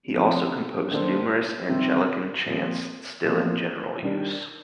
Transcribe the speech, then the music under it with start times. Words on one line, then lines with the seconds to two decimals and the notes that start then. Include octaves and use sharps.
He also composed numerous Anglican chants still in general use.
0.14 F3 A3 C4
0.91 D#3 A#3 D4 A4 C5
1.69 C3 D#3 G3 C4
2.46 A#2 F3 C4
3.24 A#2 F3 A3 C4
4.02 D#3 G3 D4